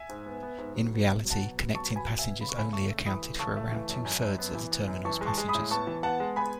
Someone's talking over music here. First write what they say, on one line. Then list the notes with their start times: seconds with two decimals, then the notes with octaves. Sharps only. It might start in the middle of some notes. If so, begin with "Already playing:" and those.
In reality, connecting passengers only accounted for around two-thirds of the terminal's passengers.
Already playing: E5 G#5
0.09 G#2
0.26 B3
0.43 B3
0.58 G#2
0.75 F#3
0.92 B3
1.09 B2
1.25 F#3
1.30 F#5 A5
1.42 B2
1.58 B3
1.75 F#3 A5 C#6
1.91 B2
1.96 G#5 B5
2.07 B2
2.19 B2 E5 G#5
2.41 C#3 B5
2.49 C#6
2.57 C#3 G#5 B5
2.73 A3 A5 C#6
2.90 A3
3.06 E3 B5 D#6
3.22 A3
3.39 C#3 A5 C#6
3.57 A3
3.72 E3
3.89 F#2
4.05 F#2
4.22 F#2
4.38 B3
4.55 E3
4.71 B3
4.88 F#2
5.05 E3 A5 C#6
5.21 G#3
5.26 A5 C#6
5.38 G#3
5.48 B5 D#6
5.55 A2
5.70 B3 A5 C#6
5.87 E3
6.03 B3 F#5 A5
6.20 G#3
6.36 B3 G#5 B5